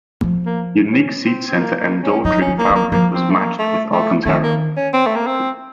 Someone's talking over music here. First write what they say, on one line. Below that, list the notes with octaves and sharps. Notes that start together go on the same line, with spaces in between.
Unique seat center and door trim fabric was matched with Alcantara.
F3
A#3
C#4
C4
C4
A#3
A#3
C#4
F#3 D#4
C#4
F3
A#3
F#3
A#3
F3 A#3
C4
A3
A#3
A3
A3
D#3 A3
A#3
C#4
C4
A3
A#3
C4